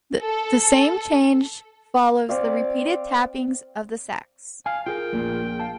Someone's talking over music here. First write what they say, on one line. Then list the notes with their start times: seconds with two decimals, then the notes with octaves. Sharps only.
The same change follows the repeated tappings of the sacs.
0.22 A4
2.29 C4 D5 F5
4.66 F5 G#5
4.87 F4 G#4 A#4 G5
5.13 A#1 A#2
5.60 F5 A5